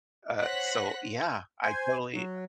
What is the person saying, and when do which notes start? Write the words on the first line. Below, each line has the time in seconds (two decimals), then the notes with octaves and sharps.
Uh, so yeah, I totally
0.41 C5 C#5 F#5 F#6 A#6 B6
1.64 C5 G#5
2.15 F#3